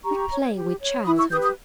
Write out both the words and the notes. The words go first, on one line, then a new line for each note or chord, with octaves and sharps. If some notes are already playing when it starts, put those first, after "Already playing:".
We play with childhood.
G4 A#5 C#6
C#5
G4
C#5
E4 B5 D#6
C#6 E6
G4 B4 D#6 G6
D#6 G6